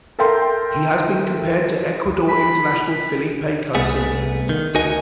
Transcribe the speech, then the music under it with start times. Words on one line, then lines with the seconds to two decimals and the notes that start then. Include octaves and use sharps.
He has been compared to Ecuador international Felipe Caicedo.
0.19 A4 A#4 E5 G5 C6
2.29 B5
3.75 C2 A3 B3 G#4
4.49 D#3
4.74 D2 D#4 F#4 A#4 D#5 G#5